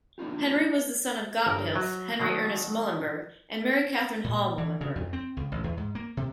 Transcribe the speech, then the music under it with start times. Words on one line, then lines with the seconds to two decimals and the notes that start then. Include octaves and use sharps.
Henry was the son of Gotthilf Henry Ernest Muhlenberg and Mary Catherine Hall Muhlenberg.
0.18 A#3 D4 D#4 F4 G4
1.46 G1 A#4
1.76 F#3
2.20 B2 D#3 F#3
4.24 A#2
4.58 E3
4.81 C#3
4.95 F2
5.13 C4
5.37 C#2
5.52 A1
5.64 E2
5.77 G#2
5.95 A#3
6.17 C3